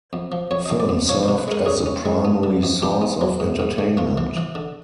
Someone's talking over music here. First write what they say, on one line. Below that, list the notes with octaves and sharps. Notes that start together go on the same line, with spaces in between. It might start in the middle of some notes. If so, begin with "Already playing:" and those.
Film served as the primary source of entertainment.
F2
F3
F2 C#5
D#5
F2
D5
F2
F3 C#5
C5
C3
B4
G#3 A#4
C#4 G#4
C#4
G#3
B3
D3
F2
F2 G4
B3
F#3
G#2
G#2
A3
A3 F4
E3
E3
D3